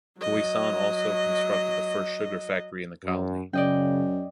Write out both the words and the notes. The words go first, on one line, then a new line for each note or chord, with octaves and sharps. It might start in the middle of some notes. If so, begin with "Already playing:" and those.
Guisan also constructed the first sugar factory in the colony.
F#3 D#5
F#2
F#2 C#3 D5 D#5 G5